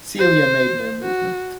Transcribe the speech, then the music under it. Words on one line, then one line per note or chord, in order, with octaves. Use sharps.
Celia made no movement.
C5
F#4